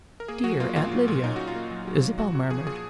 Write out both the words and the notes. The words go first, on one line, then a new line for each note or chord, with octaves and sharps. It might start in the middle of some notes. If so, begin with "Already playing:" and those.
"Dear Aunt Lydia," Isabel murmured.
A#4
A#3 G#4
F#3 F#4
A#3 F4
A#2 F4
F#3
A#2
C#4 D#4
A#2 F#4
F4
A#3
F#3
F#3
A#2
A#2 F#4
A#2 F#4
F3 G#4
A#2 G#4